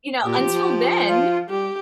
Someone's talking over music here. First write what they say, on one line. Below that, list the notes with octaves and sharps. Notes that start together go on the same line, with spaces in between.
you know, until then,
A#2 G4
F3
F3
F4
G3 G4